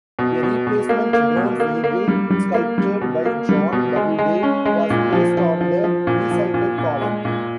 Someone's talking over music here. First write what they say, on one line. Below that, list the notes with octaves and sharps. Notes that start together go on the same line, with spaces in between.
A replacement bronze eagle, sculpted by John Doubleday, was placed on the re-sited column.
B2
B2
B2
A#3
A#3
B2
A#3
A#3
G3
G3
A#3
G3
B2
A#3
G3
B2
G#3
G#3
C#4
G#3
A#2
F3
F3
F3
F3
A#2
F3
A#2
A#2
G#3
A#2